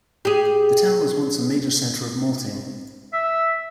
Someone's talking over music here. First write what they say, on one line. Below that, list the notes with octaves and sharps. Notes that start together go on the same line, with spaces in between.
The town was once a major centre of malting.
G4 G#4
E5